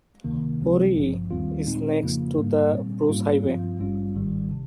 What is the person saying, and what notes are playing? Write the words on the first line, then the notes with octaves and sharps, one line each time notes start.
Woree is next to the Bruce Highway.
C#2 C3 D#3 A#3
C#2 C3 F3 G#3 C4
G#1 G2 F3
D#2 D#3 G3 C4 F4
A#2 G#3 C4 D#4
F2 C#3 F3 A#3 F4
G#2 G3 A#3
A#2 G3 C4
G#2 G3 A#3 C#4 F4
G2 F3 C4 F4
G#1 G2 G3 C#4 F4
G#1 G#2 D#3 G3
C3